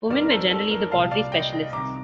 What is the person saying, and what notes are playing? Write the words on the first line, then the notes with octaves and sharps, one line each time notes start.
Women were generally the pottery specialists.
F2 D#3 G3 A#4 D5
A#4
A4 C5
A4
A#4
C2 A#2 G3 F5 A5
D5 F5
D#5 G5
D#5 G5
C2 C3 D#3 A#5 D6